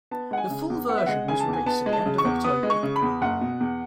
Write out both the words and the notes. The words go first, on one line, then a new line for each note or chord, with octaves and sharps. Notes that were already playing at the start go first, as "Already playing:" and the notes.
The full version was released at the end of October.
B3 A5
G#3 F#5
G#5
C#3
E2
B3 F#5
E5
G#3 F#5
C#3 G#5
A5
E2
G#5
B3 A5
G#3
A5
C#3
C#6
E2
B3 D#6
G#3
C#6
C#3
B5
E2
F#1 F#5
B2
E2